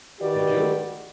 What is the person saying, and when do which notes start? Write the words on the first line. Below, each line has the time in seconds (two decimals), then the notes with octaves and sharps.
"Did you...."
0.21 D#3 F#4 G4 B4 D5